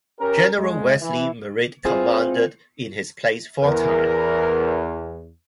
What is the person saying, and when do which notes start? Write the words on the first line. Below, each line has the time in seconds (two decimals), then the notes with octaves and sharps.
General Wesley Merritt commanded in his place for a time.
0.19 C#4 G4 A#4
0.57 F2 G#3
1.00 E3
1.85 C4 E4 F4 G#4 B4 C5
3.64 E2 A#4